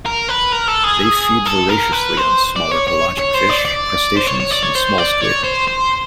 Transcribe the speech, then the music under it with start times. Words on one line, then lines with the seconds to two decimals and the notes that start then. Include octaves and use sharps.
They feed voraciously on smaller pelagic fish, crustaceans and small squid.
0.06 A#4
0.29 B4
0.52 A#4
0.68 A4
0.84 G#4
1.46 A4
1.69 A#4
1.93 B4
2.17 C5
2.56 D5
2.71 C#5
2.87 C#5
3.18 C#5
3.34 C5
3.49 D5
3.65 D5
4.17 C5
4.28 C#5
4.40 C#5
4.51 D5
4.63 C#5
4.75 C5
4.98 D5
5.21 C#5
5.44 C5
5.68 C5